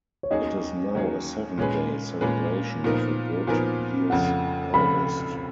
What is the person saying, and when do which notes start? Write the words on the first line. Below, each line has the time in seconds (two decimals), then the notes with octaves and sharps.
It is now a seven-day celebration of a good year's harvest.
0.23 C#5
0.31 D#2 D#3 F#3 C#4 G#4 D#5
0.95 D#2 D#3 F#3 C#4 G#4
1.58 A#2 G#3 C#4 G#4 B4
2.21 A#2 G#3 C#4 G#4 B4
2.84 A#2 F3 B3 D#4 A#4
3.47 A#2 F3 B3 D#4 A#4 G#5
4.10 F1 F2 C#3 F#5
4.74 F1 F2 C#3 B5